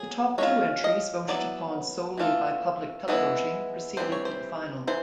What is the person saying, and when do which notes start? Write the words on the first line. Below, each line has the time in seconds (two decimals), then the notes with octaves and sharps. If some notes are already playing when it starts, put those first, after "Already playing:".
The top two entries voted upon solely by public televoting proceeded to the final.
Already playing: F#3 G#4
0.38 G#3 C#4 F4 C#5
0.84 D#5
1.28 F#3 B3 E4 D5
2.18 E3 A3 D4 F4
3.08 E3 G#3 B3 E4
3.97 E3 G3 C4 C5
4.12 C#5
4.25 C5
4.87 E3 C5